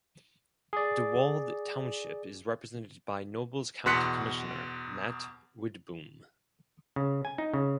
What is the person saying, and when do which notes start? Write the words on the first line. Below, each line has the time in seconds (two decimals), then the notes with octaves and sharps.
Dewald Township is represented by Nobles County Commissioner Matt Widboom.
0.73 G#4 D5
3.86 E2 B2 C6 F#6 B6 C#7
6.96 C#3
7.25 G#5
7.38 D#4
7.54 C#3